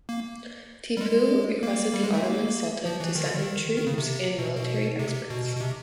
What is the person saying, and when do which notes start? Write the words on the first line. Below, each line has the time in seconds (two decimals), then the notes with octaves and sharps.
Tipu requested the Ottoman sultan to send him troops and military experts.
0.09 A#3
0.97 G3
1.01 G#3
1.63 A#3
1.94 G3
2.03 G#3
2.14 A3
2.24 A#3
2.85 F3
3.00 E3
3.15 D#3
3.26 D3
3.37 D#3
3.77 D#3
3.87 C#3
3.98 C3
4.38 B2
4.57 B2
4.99 C3
5.30 B2
5.46 B2
5.56 B2
5.61 C3